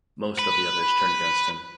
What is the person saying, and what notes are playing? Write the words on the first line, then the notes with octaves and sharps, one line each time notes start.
Most of the others turn against him.
B4